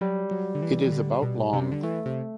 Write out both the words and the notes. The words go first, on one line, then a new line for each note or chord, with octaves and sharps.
It is about long.
F#3 G3
F#3
D3
E3
E3
D3
B2
C3
D3
E3 A3
C3